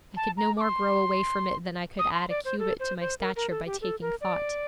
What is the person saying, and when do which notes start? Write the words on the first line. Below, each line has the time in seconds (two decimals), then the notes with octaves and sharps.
I could no more grow away from it than I could add a cubit to my stature by taking thought.
0.16 A5
0.37 A#5
0.57 D6
0.61 C6
1.99 D#6
2.14 C6
2.29 D5
2.45 C5
2.59 A4
2.79 C5
3.00 C5
3.20 A#4
3.36 A#4
3.50 A4
3.66 G4
3.81 A4
4.01 A#4
4.21 D5